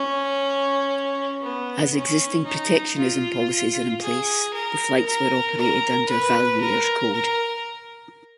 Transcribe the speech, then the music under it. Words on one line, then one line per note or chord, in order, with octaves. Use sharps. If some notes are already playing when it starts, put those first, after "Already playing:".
As existing protectionism policies are in place, the flights were operated under Valuair's code.
Already playing: C#4
B3
C#4
D#4
F4
G#4
A#4
A#4
A#4
B4
A#4
A#4